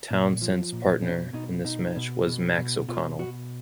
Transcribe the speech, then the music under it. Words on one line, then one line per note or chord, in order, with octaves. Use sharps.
Townsend's partner in this match was Max O'Connell.
A#2
F3
A#2
B2 C#4
B2 D#4
B2 D#4
B2
B2
B2
B2 F4
B2 F#4